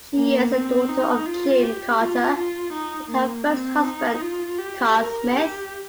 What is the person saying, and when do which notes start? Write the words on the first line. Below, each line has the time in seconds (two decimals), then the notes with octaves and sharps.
She is the daughter of June Carter and her first husband, Carl Smith.
0.15 A#3
0.52 C4
0.89 D#4
1.26 F4
1.63 G4
2.00 F4
2.37 F4
2.73 D#4
3.10 A#3
3.47 C4
3.84 D#4
4.21 F4
4.58 G4
4.95 A#4
5.32 G4